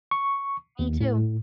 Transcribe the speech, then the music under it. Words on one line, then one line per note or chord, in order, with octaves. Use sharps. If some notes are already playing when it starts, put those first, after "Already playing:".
Me, too.
C#6
D#2
A2